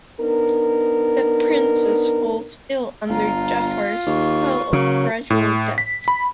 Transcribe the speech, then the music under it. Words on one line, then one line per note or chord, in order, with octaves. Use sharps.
The Princess falls ill under Jaffar's spell of gradual death.
B3 D4 D#4 A#4
G1 F4 A#5
D#2 C#6
C#3 F#3 A#3
A2
B6
B5